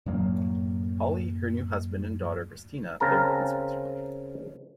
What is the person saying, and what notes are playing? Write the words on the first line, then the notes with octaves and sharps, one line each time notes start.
Holly, her new husband and daughter Christina lived in Switzerland.
F#2 A2 F#3 A#3
C#3 C4 A#4 A5 A#5